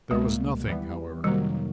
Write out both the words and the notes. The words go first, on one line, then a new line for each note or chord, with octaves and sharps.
There was nothing, however.
C#2 B2 G3 G#3 A#3
E3 G3 B3
F2 C3 D#3 F#3 G3 A#3